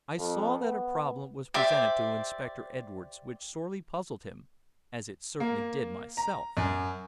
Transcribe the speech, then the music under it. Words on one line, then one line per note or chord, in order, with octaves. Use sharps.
I saw that a problem was presented to Inspector Edwards which sorely puzzled him, as it certainly did myself.
F2
B3
G4 C5 D5 E5
A#3
A#5
F#2